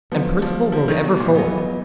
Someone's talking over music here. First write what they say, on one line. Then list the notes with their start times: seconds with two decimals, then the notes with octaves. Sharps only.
And Perceval rode ever forward.
0.12 D3 F3 F#3 B3
0.42 F3
0.72 F3
0.88 D#3
1.03 B2
1.19 A#2
1.35 F#3 B3 F4 G#4 D#5